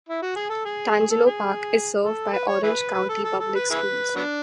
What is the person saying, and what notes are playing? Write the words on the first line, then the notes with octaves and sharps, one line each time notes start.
Tangelo Park is served by Orange County Public Schools.
E4
F#4
G#4
A4
G#4
A4
G#4
A4
B4
C#5
E4 G#4 B4
B4
A4
A4
A4
B4
E4 G#4 B4
F#3 B3 D4